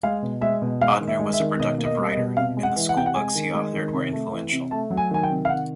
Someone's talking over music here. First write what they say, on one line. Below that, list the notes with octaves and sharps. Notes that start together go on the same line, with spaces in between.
Odhner was a productive writer, and the schoolbooks he authored were influential.
G#3 F5
B2
G#3 E5
B2
G#3 F5
D#3
E5
G#3
E5
D#3
B2 D#5
A#3
D#5
G3
D#5
B2
C3 F5
G#3
F#5
E3
F#5
C3 G5
F#5
G#3 G#5
D#3
G#3
D#3
C3
A3
E3
C3
A3 A5
F#3
G#5
D#3 G#5
G5
C3
F5
D#3 F#5